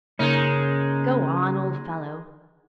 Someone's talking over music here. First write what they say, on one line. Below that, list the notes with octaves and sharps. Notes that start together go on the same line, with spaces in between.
"Go on, old fellow."
C#3 G#3 A#3 C#4 D#4